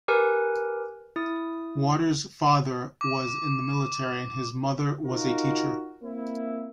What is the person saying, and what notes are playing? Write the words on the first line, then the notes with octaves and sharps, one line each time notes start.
Water's father was in the military and his mother was a teacher.
G4 A#4 B4 G#5
E4 D#6
D6
D#4 F4 F#4 A#4
A#3 C4 E4